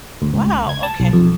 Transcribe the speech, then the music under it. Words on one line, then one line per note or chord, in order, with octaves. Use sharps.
Wow, okay.
D2
C#2
G#6
A5
B1
F2